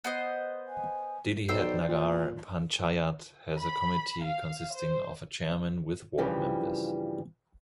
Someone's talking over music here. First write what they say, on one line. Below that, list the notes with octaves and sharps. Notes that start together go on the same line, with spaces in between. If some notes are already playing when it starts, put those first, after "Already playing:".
Didihat Nagar Panchayat has a committee consisting of a chairman with ward members.
B3 C5 D#5
G#5
B1 C5 D5 G5 E6
A#2
B5
F5
C5
G2 C#3 E3 F3 G3